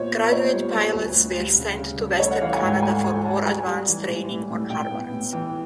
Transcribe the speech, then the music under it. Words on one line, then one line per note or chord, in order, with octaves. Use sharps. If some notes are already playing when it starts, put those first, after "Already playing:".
Graduate pilots were sent to western Canada for more advanced training on Harvards.
Already playing: A#2 B3 C5 C#5
B3
A#2 C#5
G3 C5
C5
G3 B4
D2
D2
G3
C#3
C#3
G3
A3 C#5
F#5
E3 F5
G#5
G#2 G5
A3 G#5
A3 G#5
A3 A5
G3 G#5
G3
E3
A2
A2
A2
A2 G5
B3
A2
E3 G5